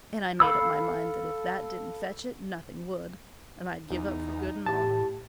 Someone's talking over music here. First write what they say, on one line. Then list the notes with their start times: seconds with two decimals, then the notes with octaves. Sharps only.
And I made up my mind that if that didn't fetch it nothing would and I'd give up for good and all.
0.40 A4 F5 B5 E6
3.90 E2 D#4
4.66 A2 G4 A5